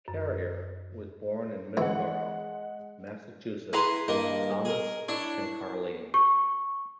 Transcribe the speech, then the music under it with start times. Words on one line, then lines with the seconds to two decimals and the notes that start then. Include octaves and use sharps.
Carrier was born in Middleborough, Massachusetts to Thomas and Carleen.
0.08 F#2
1.77 E3 G#3 F#5
3.73 E4 G#4 B4 A#5 C6
4.08 G2 D#3 A#3 D#5
4.65 G#4 A#4
5.08 D4 E4 C#5
6.14 C#6